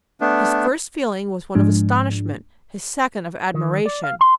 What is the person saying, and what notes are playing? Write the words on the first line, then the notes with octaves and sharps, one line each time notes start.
His first feeling was one of astonishment, his second of admiration.
A3 B3 D4
G#2 F3 G#3 D4
D#3
D5
F5
C6